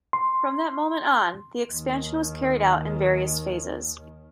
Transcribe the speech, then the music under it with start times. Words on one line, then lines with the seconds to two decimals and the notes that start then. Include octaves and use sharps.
From that moment on, the expansion was carried out in various phases.
0.13 C6
1.71 D#2 D#3